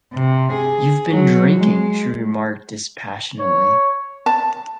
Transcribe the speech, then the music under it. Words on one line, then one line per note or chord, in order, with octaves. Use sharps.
"You've been drinking," she remarked dispassionately.
C3
G#4
F#3
G#3
C#5
A5